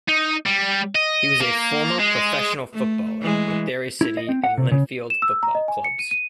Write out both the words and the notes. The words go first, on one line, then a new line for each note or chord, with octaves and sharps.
He was a former professional footballer with Derry City and Linfield Football Clubs.
D#4
G3
D#5
A#3
G#3
A3
E3 G#3
E4
D#5
C4
F#5
C3
C#3
E7
E6
A#5
D#5
G#5
C#7
D#7
D#7